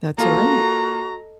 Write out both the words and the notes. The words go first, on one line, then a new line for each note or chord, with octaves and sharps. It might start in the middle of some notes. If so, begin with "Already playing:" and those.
That's right.
A#3 F4 F#4 A4 D#5 A5 A#5